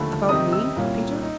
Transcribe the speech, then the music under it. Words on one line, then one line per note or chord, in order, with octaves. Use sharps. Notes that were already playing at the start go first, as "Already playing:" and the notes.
"About me, Peter?"
Already playing: D#2 D3 F3 A3 B5
C3 D#3 G3 C4 D#4 D#6
E6
C2 A#2 G3 A#3 C#4
D#4